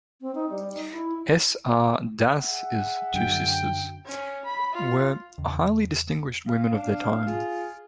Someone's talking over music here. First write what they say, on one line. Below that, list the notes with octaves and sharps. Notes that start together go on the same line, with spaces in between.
S. R. Das's two sisters were highly distinguished women of their time.
C4
D#4
G3
D#4
E4
G#4 E5 F#5
F#2 D3 F#3 G5
C#4
B5
F4
E2 C#3
F5
D4
F4 G#4